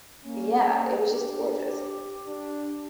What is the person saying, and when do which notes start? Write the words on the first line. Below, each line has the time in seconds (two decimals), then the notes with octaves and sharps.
yeah, it was just gorgeous.
0.25 A#3 C#4
1.10 D4 G4
2.27 D4